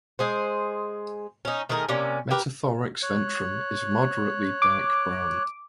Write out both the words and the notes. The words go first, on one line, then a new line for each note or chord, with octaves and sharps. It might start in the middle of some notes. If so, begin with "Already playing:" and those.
Metathorax ventrum is moderately dark brown.
G#3 G#4 C5
C#4 D#4
D#3 A3 G#4 A#4
C3 A#3 C#4 D5
G4 A#4 B4
C#5 F#6
D6